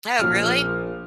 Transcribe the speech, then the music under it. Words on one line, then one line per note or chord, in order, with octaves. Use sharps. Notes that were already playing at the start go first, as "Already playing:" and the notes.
Oh, really?
A#1 A#2 F3 F6